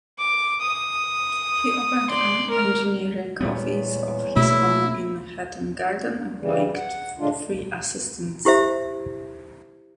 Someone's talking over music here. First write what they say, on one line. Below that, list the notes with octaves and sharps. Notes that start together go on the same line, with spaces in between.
He opened an engineering office of his own in Hatton Garden, employing three assistants.
D6
D#6
D5 C6
A#4 F6
E2 A#2 G3 G#3 B3 C#5
B2 A3 A#3 E4
C#3 E3 G3
F#5
A2 D3 G#3 D4 F4
E4 G4 C5 E5